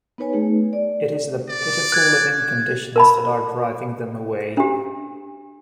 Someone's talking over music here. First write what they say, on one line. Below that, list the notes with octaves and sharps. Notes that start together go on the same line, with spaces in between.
It is the pitiful living conditions that are driving them away.
B3 D#4 B4 C#5 G#5
A3 D#4 G#4
D5
D5
F#6 G#6
A#4 A5 B5
D4 G4